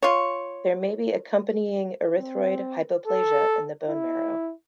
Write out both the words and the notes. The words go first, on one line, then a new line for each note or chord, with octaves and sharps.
There may be accompanying erythroid hypoplasia in the bone marrow.
F4 C#5
C4
A4
E4